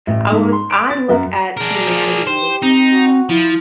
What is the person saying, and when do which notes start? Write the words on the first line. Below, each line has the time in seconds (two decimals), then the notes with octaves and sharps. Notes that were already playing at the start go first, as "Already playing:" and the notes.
I was I look at humanity
0.07 A1
0.32 G#2
0.52 C6
0.70 D7
0.90 A6
1.09 F#2
1.57 D4 G#4 A#4
2.27 G4 C5
2.62 C4 D#4
2.92 F#4
3.29 F3 E4